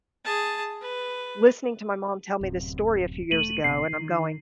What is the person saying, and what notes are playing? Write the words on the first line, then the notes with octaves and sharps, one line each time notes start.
listening to my mom tell me this story a few years ago, and I'm going
G#4 A5
B4
D1 F#2 C3
E1 A3 D#7 F#7
G#1 C3 B3 C7
D#3